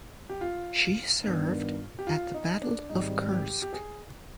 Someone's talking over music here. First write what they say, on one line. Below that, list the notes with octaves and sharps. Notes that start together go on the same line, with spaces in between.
She served at the Battle of Kursk.
G4
F4
G2 D#3 B3 D4
G4
F4
D#4
D4
G#1 G#2 G3 D#4
G4
G4
G#4